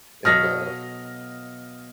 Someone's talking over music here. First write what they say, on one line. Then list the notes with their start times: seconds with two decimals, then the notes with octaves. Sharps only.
and, uh, f
0.25 B2 F#3 A4 D#5 F5 F6 A#6